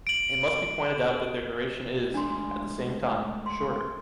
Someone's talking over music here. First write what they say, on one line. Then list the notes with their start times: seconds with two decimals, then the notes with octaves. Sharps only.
It must be pointed out that their duration is, at the same time, shorter.
0.07 D7 F#7
2.14 G#3 A3 D4 D5 C6
3.46 C6